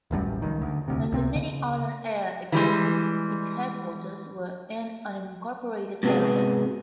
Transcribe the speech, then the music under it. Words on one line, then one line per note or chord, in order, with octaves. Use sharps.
When Bimini Island Air existed, its headquarters were in an unincorporated area.
D#1 A1 F#2 G3
C#2 D#3
D2
E1 D2 C3
C#2 C3 C4
C#3
E3 G3 G#3
G#2 C3 B3 F#4 G#4